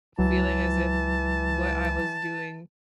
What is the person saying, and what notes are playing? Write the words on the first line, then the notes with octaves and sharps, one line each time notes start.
feeling as if what I was doing
C#2 E3 F#3 A5